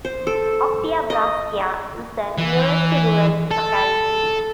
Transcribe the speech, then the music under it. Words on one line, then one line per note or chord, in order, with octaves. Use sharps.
Oktyabrskaya is the nearest rural locality.
C5
A4
D#5
E3
A4